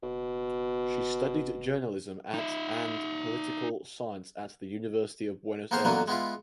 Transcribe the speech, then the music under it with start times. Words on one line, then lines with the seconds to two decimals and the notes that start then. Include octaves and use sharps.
She studied journalism at and political science at the University of Buenos Aires.
0.03 F#1 B2
2.34 D#4 E5
5.71 A#3 B3 G#4 C5 F5
5.85 D3 E3 F#3 A#3 B3
6.08 G#3 B3 E4 F4